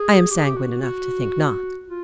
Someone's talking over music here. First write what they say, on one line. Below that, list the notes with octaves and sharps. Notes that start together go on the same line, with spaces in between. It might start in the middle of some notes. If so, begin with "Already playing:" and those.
I am sanguine enough to think not.
Already playing: G#4
G4
G#4
G4
F#4
F#4
F4